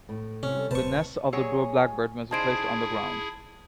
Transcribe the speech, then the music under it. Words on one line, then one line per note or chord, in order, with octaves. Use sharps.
The nests of the brewer blackbird must be placed on the ground.
A2
C3 C#4
G3 A4
D1 C3 B4 C5 A5 C#6
F#3 G#4 C#5
C#3 D#4 E4 G#4 C5 A5 G#6 D7